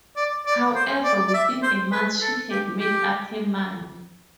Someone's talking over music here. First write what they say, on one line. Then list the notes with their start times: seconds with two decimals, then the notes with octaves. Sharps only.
However, within a month she had made up her mind.
0.16 D5
0.46 D5
0.75 C5
1.04 D5
1.28 D5
1.34 E5
1.63 C5
1.92 B4
2.21 A4
2.50 G4
2.80 G4